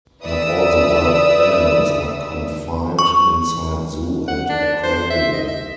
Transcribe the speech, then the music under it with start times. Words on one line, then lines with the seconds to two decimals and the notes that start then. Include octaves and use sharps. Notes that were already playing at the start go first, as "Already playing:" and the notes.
Not all the wild animals are confined inside Zoo and Aquarium.
0.22 B4 D5 E5 D#6 E6
2.99 C#6
4.28 F#5
4.49 D4
4.83 C5
5.10 E5
5.33 D#5
5.48 E5